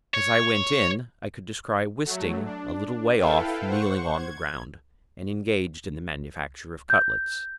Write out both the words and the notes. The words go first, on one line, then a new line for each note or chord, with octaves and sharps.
As I went in, I could descry Wisting a little way off kneeling on the ground, and engaged in the manufacture of cutlets.
C#5
F#3 A3
D4
E4 A4 B4 F5 G5
C5 F#5 C#6
G#6
G6